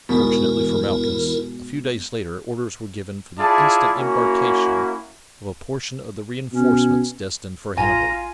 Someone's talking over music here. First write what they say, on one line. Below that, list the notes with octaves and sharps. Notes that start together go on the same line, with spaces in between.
Fortunately for Malchus, a few days later orders were given for the instant embarkation of a portion of the reinforcements destined for Hannibal.
E2 G#2 B2 E4 A#4
E4 F4 G#4 D5 A5
A#3 C#4 E4 F#4
B2 C#4
A1 F4 G#5 A#5 D#7